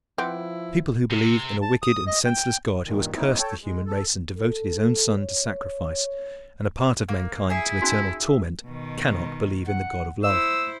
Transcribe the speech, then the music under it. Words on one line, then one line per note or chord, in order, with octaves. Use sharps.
People who believe in a wicked and senseless God--who has cursed the human race and devoted his own Son to sacrifice, and a part of mankind to eternal torment--cannot believe in the God of love.
F3 C4 E4 B4 F#5 D6
C3
A5
D#6
D#5
G5
G2 A#2 D#3
D#3 F#3 A#3 C4 D#4 E4
A4 C#5 G5 A5
G#3
A4
A4
C#5
A#3
E4 G#4 E5
C#4 D#4 F#4
B2 D#3
F#5
E4 C5 E6